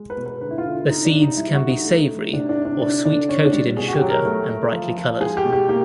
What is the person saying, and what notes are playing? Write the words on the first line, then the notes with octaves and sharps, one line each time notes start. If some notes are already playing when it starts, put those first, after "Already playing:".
The seeds can be savory or sweet-coated in sugar and brightly colored.
Already playing: G#3
B4
B2
B4
D3 B4
E4
F4
D3
C3 D#4
D4
E3
D#4
G3 E4
F#4
D3
D#4
A3
A2
C3 D4
D4
C3
D4
D3 D4
D3 D4
D3 C#4
D4
G3
B2 G#4
F#4
G4
F#3
A#4
A3
A3
F3
F3
G#3 G#4
G4
B2
G4
A#3 G4